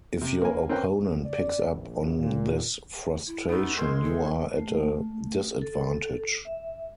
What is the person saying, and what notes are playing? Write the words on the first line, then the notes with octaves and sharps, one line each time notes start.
If your opponent picks up on this frustration, you are at a disadvantage.
C3
A#3 G#5
C4 C#4 A#4 B4 G5
D5
A#1
A#2
E4
A3 B3 D#4
G#3 A#4 C5 G#5
A4
A3
A4
E5